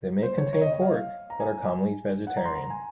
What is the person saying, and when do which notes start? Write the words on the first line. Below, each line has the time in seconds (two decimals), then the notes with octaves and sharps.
They may contain pork, but are commonly vegetarian.
0.23 C5
0.38 C#5
0.53 C#5
0.62 D#5
0.72 D#5
0.82 F5
1.30 A#5
1.40 G#5
2.27 F#5
2.37 A#5
2.45 C6
2.56 A#5
2.70 G#5